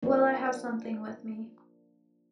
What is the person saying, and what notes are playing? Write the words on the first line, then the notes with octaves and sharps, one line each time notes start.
Well I have something with me.
F3 A#3 D4